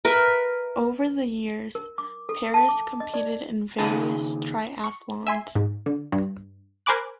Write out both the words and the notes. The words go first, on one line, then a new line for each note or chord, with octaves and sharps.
Over the years, Paris competed in various triathlons.
A#4 B4 E5
A#4
D6
A4
A5
D6
D#5
D5
D#2 C#3 D#4 G#4 B4 A5
C#6
E5 G#5 C6
G#2
D3
G2
A#4 C5 G#5 B5 D6 F#6